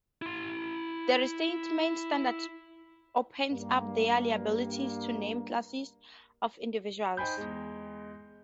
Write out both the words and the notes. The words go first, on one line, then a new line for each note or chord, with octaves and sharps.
The Restatement Standard opens up their liability to named "classes" of individuals.
E4 C6
G2 A#3
D#4 C5 G5 G#5 B5 G6
E2 G#3